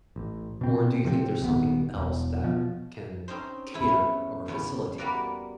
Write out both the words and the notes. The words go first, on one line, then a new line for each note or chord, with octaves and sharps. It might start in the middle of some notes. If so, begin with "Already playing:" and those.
Or do you think there's something else that can cater or facilitate that?
A1
B2 C4
C3 F3 A3 C4
D#1 D#2 B3
E1
B2 F3
C4 C#4 D#4 C5
E2 E4
C#4
E2 C#3 C#4
G3 A#3 F#4 A#4 B4 D5